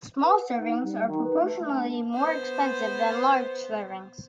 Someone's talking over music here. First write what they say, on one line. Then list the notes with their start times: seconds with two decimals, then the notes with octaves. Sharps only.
Small servings are proportionally more expensive than large servings.
0.22 B4
0.34 F#5
0.57 D#4
0.82 G3
1.03 D#3
1.23 B4
1.41 A3
1.62 D4
2.14 B3 C5